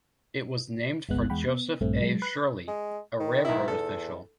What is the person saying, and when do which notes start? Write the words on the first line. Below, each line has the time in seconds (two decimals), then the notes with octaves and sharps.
It was named for Joseph A. Shirley, a railroad official.
1.09 G1 C2 G#3 B3 F#6
1.30 E2 G#3 F#5 G5 B5
1.47 B3
1.81 A#1 G2 A3 C4
2.01 F#3 G#3
2.22 B4 F#6
2.68 G#3
3.20 D#3
3.45 B1 E4
3.68 E2 A4